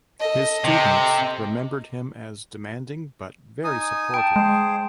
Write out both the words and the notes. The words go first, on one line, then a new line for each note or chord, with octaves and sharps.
His students remembered him as "demanding but very supportive".
A4 D#5
C3
D#4 G#5 D#6
G5 A5
G#3 G#4 C5